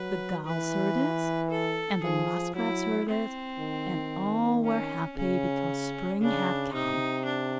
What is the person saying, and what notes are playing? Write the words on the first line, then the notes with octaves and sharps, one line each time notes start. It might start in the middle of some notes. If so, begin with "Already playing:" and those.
The Gulls heard it, and the Muskrats heard it, and all were happy because spring had come.
Already playing: F#3 B4
E3 B4
A4
F3 G#4
F#3 E4
C4
D#3
C#4
C#3 C#4
C#3 D4
C3 D#4
D4